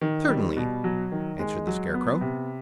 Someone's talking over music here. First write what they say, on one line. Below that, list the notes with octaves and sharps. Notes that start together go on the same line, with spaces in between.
"Certainly," answered the Scarecrow.
D#3
G3
B2
F#3
D#3
G#3
F#3
B3
C3